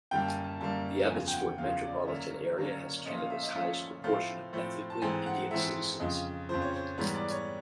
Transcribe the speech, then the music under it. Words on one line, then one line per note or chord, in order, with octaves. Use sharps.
The Abbotsford metropolitan area has Canada's highest proportion of ethnically Indian citizens.
F#2 D3 G3 A#3 G5
A5
G#5
A5
F#2 D3 G3 A#3 A5
E2 C#3 F3 G#5
G5
F#5
E2 C#3 F3 F5
D5
D3 F#3 A#3 C#4 E5
D3 F#3 A#3 C#4
A#2 F3 A3 C#4 D#5
F5
E5
D#5
F5
A#2 F3 A3 C#4 E5
A2 F3 A3 C4 F5
A2 F3 A3 C4
A5
G#2 E3 A3 C4 G#5
F#5
G#2 E3 A3 C4 E5
F2 C#3 F3 D#5
F2 C#3 F3 C5
C#5
C5
G#2 E3 G3 B3 C#5
D5
C#5